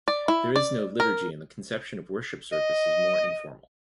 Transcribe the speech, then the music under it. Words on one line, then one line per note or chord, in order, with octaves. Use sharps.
There is no liturgy and the conception of worship service is more informal.
D5
E4
D5
A#4
D#5